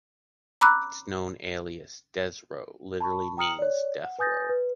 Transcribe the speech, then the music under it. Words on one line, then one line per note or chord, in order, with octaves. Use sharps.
Its known alias, Des-row, literally means “death row”.
A#5 B5 D6 E6 F#6
A5 B5 C#6
G5 A#5 D#6 F6 C#7 F#7
C#5 D5
F#5
B4 G#5 D#6 G6 A6 A#6
B4